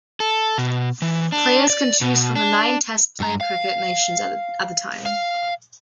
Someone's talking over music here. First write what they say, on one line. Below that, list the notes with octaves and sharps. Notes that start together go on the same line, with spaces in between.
Players can choose from the nine Test playing cricket nations at the time.
A4
B2
E3
D4
D5
B2
D4
G2 A#5
F5
F5